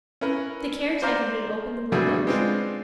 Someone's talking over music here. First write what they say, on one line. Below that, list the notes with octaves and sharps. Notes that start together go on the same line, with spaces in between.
The caretaker had opened the windows.
C#4 E4 A#4 B4
C5 D5 F5 A#5
B2 D3 F#3 G3 A3 G#4
G#3 B3 C4 D4 F4